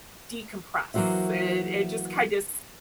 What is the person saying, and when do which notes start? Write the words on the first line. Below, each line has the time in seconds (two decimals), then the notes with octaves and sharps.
decompress. It it just kind of, s
0.94 E3 F#3 A#3 F#4 C5 E5